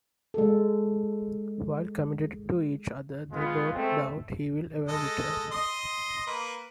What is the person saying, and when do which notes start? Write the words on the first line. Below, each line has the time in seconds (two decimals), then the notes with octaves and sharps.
While committed to each other, they both doubt he will ever return.
0.34 G#3 A4
3.33 G#3 B3 F4
3.75 G#3 A3 C4 A4
4.88 G#3 A4 D#5
5.52 D#5 C6 D#6
6.27 A#3 B4